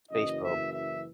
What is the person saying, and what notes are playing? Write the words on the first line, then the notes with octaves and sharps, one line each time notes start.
space probe,
F#1 F#2 E3 D#5
E5
E5